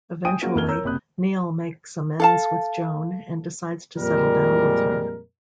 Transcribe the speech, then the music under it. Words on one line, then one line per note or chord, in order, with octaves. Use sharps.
Eventually, Neal makes amends with Joan, and decides to settle down with her.
G5 G#5 D#6 D7 D#7
A#3 C#4 F4 F#4 G#4 A#4
F2 A#3 A4 F6 G#6 G7
A#4 C#5 A#5 E6 G6
F#1 C3 B5 D#6 F#6
A4 F5 A5
F2 A#2 G3 G#3 A#4